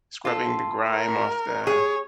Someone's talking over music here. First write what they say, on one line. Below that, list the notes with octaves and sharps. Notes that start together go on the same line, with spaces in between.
scrubbing the grime off the
F4 A4
A#4
G#4 C#5